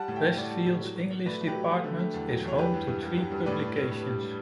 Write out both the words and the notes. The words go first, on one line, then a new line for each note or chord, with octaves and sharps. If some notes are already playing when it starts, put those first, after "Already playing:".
Westfield's English department is home to three publications.
Already playing: G3 F#5 A5
A2
E5 G5
G3
A2 D5 F#5
G3
A2
F#3
B2
B2
A3 B4 D5
A3
G4 B4
F#3
A3
D3
A3
E2
F#3
E2 C#5
E3 G4 B4
G2
G2
G2
G2
G2
A2 B4 D5
G3
A2
A2
G3
G3